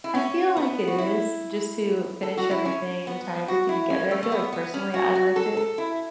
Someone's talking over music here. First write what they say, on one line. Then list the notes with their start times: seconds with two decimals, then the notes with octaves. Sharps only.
I feel like it is, just to finish everything and tie everything together. I feel like, personally, I liked it.
0.04 E4
0.15 C#4
0.57 B3
0.87 F#4
0.98 E4
2.23 A4
2.37 F#4
2.51 E4
2.65 C#4
3.07 B3
3.48 F#4
3.69 E4
3.90 C#4
4.11 A3
4.23 A3
4.32 B3
4.53 B3
4.74 C#4
4.94 F#4
5.15 F#4
5.36 A4
5.57 A4
5.78 E4